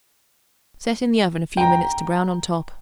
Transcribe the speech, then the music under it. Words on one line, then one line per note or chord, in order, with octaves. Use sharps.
Set in the oven a few minutes to brown on top.
G5 A#5